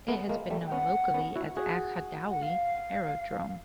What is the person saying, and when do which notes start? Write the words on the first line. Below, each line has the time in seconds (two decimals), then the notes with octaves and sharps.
It has been known locally as Aghadowey Aerodrome.
0.08 A3 B3
0.29 G#3 A#3
0.50 G3 A3
0.67 G5
0.71 B3 C#4 F#5
1.14 B3 C#4
1.36 E4 F#4
1.57 F#4 G#4
2.30 F#5
2.42 F5